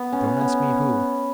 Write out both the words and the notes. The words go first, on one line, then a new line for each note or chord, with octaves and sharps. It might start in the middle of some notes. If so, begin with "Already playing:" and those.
Don't ask me who.
Already playing: B3
C#4
B3